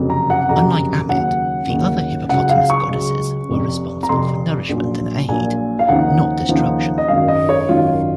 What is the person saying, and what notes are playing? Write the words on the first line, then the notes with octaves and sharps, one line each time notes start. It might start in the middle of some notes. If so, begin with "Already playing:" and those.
Unlike Ammit, the other hippopotamus goddesses were responsible for nourishment and aid, not destruction.
Already playing: F#1 F2 C3 F#3
A#5
F#5
F#1 F2 C3 F#3 A#5
D#2 C#3 F#3 F#5
D#2 C#3 F#3
C#2 C#3 F#3 F#5
F5
C#6
C#2 C#3 F#3
F1 F2 C3
A#5
F1 F2 C3 C6
A#1 A#2 F#3
A#1 A#2 F#3 G#5
F5
D#2 C#3 F3 C4 D#4 F#5
D#2 C#3 F3 C4 D#4
D#5
G#1 F#2 D#3 F#3 F5
D#5
C#5
G#1 F#2 D#3 F#3 F4